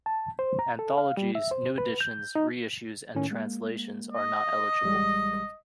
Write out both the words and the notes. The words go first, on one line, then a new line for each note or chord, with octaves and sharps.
Anthologies, new editions, re-issues and translations are not eligible.
A5
C5
A#5
A4
F5
G3
E5
C5
B4
G6
D#4
A2 D#3 C#4
G#3 A#3
D#5
A1 G3 G#3